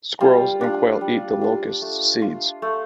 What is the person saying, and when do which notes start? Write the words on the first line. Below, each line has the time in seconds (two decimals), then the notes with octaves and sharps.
Squirrels and quail eat the locust's seeds.
0.20 G3 F4
0.61 D4 F4
1.01 G3
1.41 D4 F4
1.82 A3
2.22 F4
2.62 A3